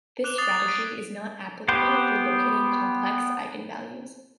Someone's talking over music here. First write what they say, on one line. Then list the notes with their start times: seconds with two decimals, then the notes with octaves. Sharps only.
This strategy is not applicable for locating complex eigenvalues.
0.24 D6 F#6 E7 F7 G7
0.38 D#6 A6 C7 F7
0.56 G#6 F7
0.68 F#6 B6 C7 D7 D#7 F7
1.68 B3 G4 C5